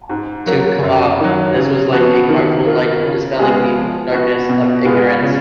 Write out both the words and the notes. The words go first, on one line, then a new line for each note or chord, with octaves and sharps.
To Khabbab, this was like a powerful light dispelling the darkness of ignorance.
G#2
F#3 A#3
F#2
D#3 F#3
C#3
F3 B3 F#4
D#3
A#3 F4
C#3
G#3 B3 F4 G#4
F3
B3 F#4
B2
G#3 B3 F4 G#4
C#3